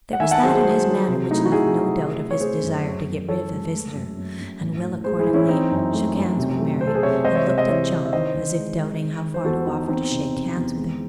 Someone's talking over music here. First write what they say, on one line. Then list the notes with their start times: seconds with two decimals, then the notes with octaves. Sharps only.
There was that in his manner which left no doubt of his desire to get rid of the visitor, and Will accordingly shook hands with Mary, and looked at John, as if doubting how far to offer to shake hands with him.
0.13 F#5
0.20 D#3 E5 G#5
0.31 F#5 A5
0.43 F#3 G#4 C5
0.54 G#4 C5
0.64 F#3 G#4 C5
0.87 F#3
1.08 C3
1.31 A3 D#4
1.38 E4
1.45 F#4
1.52 C3 E4 G#4
1.75 C3
1.97 A3
2.19 A3
2.31 C#5
2.40 A3 G#4 C5
2.62 F#2
2.85 F#2
3.07 F#2
3.28 E3 A4 C#5
3.51 G#3
3.73 A3
3.94 F#2
4.17 F#2
4.39 F#2
4.61 A2
4.82 A2
5.04 G#3 G#4 C5
5.19 E4 G#4
5.27 E3
5.34 C#4 E4
5.49 E3 C4 D#4
5.71 F#2
5.93 A3
6.15 F#2
6.37 C3
6.59 A3
6.81 C3 C5
6.87 A4
6.95 G#4 C5
7.03 C3 C#5 E5
7.25 G#3 C5 D#5
7.35 C#5 E5
7.46 C3 C#5 E5
7.58 C5 D#5
7.69 E3 C#5 E5
7.90 E3
8.06 E5
8.13 D#3 C5 D#5
8.35 D#3
8.57 G#3
8.79 G#3
9.01 D#3
9.22 D#3
9.34 C5
9.44 E2 F#4 A4
9.67 E2 D#4 F#4
9.88 E2 C4 D#4
10.11 C3
10.33 C3
10.55 E2
10.77 G#3